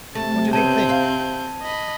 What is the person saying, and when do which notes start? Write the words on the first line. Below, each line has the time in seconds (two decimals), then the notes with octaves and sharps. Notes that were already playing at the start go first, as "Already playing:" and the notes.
What did he think?
0.15 C3 A3 A5
0.53 C#3 B3 C4 A5 G6 G#6 D#7
0.89 C5 F5
1.63 D#5 B5